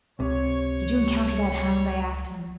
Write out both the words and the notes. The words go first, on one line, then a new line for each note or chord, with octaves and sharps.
'Did you encounter that hound?' I asked him.
C#2 C3 C#5